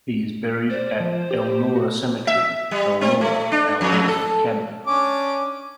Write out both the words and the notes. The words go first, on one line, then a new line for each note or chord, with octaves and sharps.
He is at buried at Elnora Cemetery, Elnora, Alberta, Canada.
C5 D5
F3
G4
F#4
E5
G3
C4
A3
D4
F2
A4
C#4 D4 D6